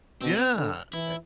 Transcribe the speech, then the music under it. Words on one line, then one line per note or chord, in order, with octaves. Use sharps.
Yeah, a
B2 C4
D3
E3 E4